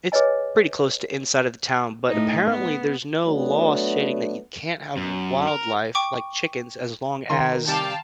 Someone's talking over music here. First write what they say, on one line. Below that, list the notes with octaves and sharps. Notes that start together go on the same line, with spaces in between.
it's pretty close to inside of the town, but apparently, there's no law stating that you can't have wildlife like chickens as long as
G#4 B4 C#5 D#5 G#5
A2 D#4
B3
F#3 A3 B3 D4
F#2
A#4
G5 C#6 D6
D#3 A#5 C6
C3 G3 F5 G5 A5